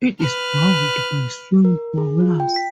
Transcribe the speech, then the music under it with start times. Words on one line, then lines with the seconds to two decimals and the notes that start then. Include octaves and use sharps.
It is bowled by swing bowlers.
0.21 B4 F6
1.65 A#4
1.98 G#4
2.20 F4
2.40 G5
2.56 B6